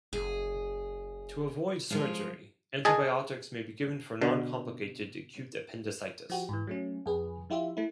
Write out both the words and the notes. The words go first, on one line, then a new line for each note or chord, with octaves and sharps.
To avoid surgery, antibiotics may be given for non-complicated acute appendicitis.
F#1 G#4
F3 G#3 F4
G#4 D#5 G#5 A5
B2 D3
F3 F#4 G4
G#2 E3
F#3 A3 C#4
F2 G#4 B4
F3 E4 F4 G4 E5
A3 E4